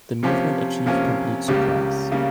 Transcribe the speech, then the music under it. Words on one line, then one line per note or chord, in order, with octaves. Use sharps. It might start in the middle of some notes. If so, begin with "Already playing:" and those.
The movement achieved complete surprise.
C3 F3 A#3 C#4 G4
C3 F3 A#3 C#4
C#2 C#3 G3 A#3 G4
C#3 G3 A#3